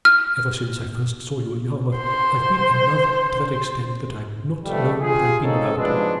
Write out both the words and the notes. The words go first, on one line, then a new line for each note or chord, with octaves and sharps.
Ever since I first saw you at Yarmouth, I've been in love to that extent that I've not known what I've been about.
F6
C5 C6
B1 B2 F3 G3 A3
F4 G4 G#4
G#3 A#3 C4 C#4 D#4 A4
G2 B2 F3 G#3 B3 D4